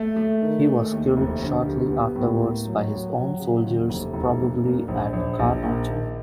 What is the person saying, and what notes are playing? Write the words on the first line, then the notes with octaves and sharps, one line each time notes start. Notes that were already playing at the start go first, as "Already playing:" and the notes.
He was killed shortly afterwards by his own soldiers probably at Carnuntum.
Already playing: A3
A3
D#3
G#3
D#2
F1
D2
G3
B3
A2
A#3
F#3
F#3
F#3
C#3
D#2
F1
F1
A#2
A#2
A#1
A#1
A#1
A#2
D#3